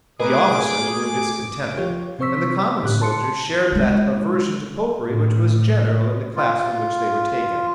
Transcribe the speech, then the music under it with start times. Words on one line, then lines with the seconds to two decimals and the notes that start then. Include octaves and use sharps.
The officers were discontented; and the common soldiers shared that aversion to Popery which was general in the class from which they were taken.
0.20 A3 G#4 A#4 B4 D#5 D6
1.77 F3 F4 G4 C#5
2.19 C3 C4 C5 C#6 E6 B6
2.83 A2 D3 G4 F#6
3.01 A5 C6 C#7
3.72 G#3 D#4
5.05 A2
6.36 F4